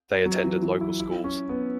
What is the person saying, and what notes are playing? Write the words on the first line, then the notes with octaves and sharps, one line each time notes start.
They attended local schools.
F#3
E3
E3
E4
E4
C#4
B3